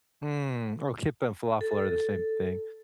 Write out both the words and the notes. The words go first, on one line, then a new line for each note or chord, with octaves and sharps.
Mm, oh, كِبّة and falafel are the same thing.
A4